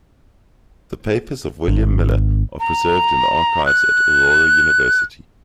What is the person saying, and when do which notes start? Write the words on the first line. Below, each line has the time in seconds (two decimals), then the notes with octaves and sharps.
The papers of William Miller are preserved in the archives at Aurora University.
1.68 G#1
2.60 A#5
3.66 F#6